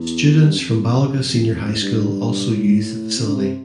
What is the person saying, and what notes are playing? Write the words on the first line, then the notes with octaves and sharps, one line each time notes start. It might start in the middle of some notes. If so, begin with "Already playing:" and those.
Students from Balga Senior High School also use the facility.
Already playing: E2
G2
F2
E2
F2
F2
A2
G2
A2
C3
D3
C3